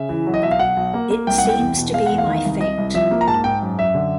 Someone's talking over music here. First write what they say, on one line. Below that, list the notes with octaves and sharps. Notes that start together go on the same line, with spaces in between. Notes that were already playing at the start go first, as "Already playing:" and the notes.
It seems to be my fate.
Already playing: C#3 E5
E3
F#3
D#5
B1 E5
F5
B1 F#5
B1
A#3
A#3
C2 G5
F#5
C2
G5
E2
B2
G#3 F5
F#5
E2
F5
D#3
C2
C2 D#5
C2
F3 E5
A#3
A#5
G#2 A5
G#2 G5
F#2
F#2 E5
D3